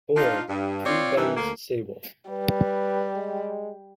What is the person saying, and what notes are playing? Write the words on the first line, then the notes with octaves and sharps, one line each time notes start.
Or, three Bends Sable.
D4 D#4 F4
G2
C4 F4 C#5 D5
G2 D#3 E3
D2 A#3
G3 B4
G#3